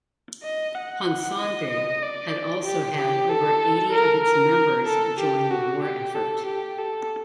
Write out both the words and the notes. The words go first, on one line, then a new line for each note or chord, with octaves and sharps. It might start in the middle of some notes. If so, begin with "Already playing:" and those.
Ponsonby had also had over eighty of its members join the war effort.
D#5
F#5
D#5
D#5
D5
G4
G4
A4
A#4
A#4
A4
G4
F#4
G4
A4
G4
A4